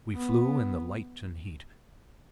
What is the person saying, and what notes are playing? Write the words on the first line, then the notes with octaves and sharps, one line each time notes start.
We flew in the light and heat.
B3